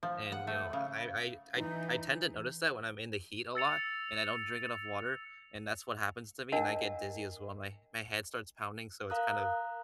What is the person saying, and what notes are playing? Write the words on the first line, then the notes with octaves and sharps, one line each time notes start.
and, you know, I I I t I t I tend to notice that when I'm in the heat a lot and I don't drink enough water, and that's what happens to me, and I get dizzy as well, and my my head starts pounding, so it's kind of
F3
F#5
A3
C#3
E3 D#4
E6 A6 C#7 F7
D4 A#4 D#5 F#5 A5
A#4 F5 A#5 D#6 F#6